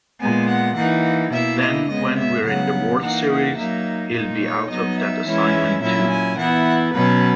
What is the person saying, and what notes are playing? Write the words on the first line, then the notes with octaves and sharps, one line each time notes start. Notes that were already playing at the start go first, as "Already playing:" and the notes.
Then when we're in the World Series, he'll be out of that assignment, too.
A#2 G#3 B3 G#5
F#5
E3 A#3 D#4 F#5
B2 A#3 E4 E5
D#5
C#3 G#3 B3 D#5
E5
C#3 F#3 B3 F#5
E3 A#3 D#4 F#5
F#5
F#3 A#3 D#4 E5
A#2 A#3 D#4
C#5
F#3 B3 D#4 D#5
E5
E3 G#3 C#4 E4
A#2 F#3 C#4 E4 E5
G#5
E3 B3 E4 F#5
B2 F#3 C#4 B4